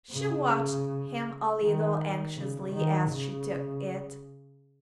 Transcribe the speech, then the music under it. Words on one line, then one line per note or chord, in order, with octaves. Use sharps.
She watched him a little anxiously as she took it.
C#3
D#3
C#3
D#3
C#3